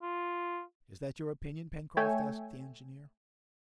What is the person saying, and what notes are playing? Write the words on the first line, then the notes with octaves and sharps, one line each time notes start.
"Is that your opinion, Pencroft?" asked the engineer.
F4
A3 A4 C#5 E5 G5 G#5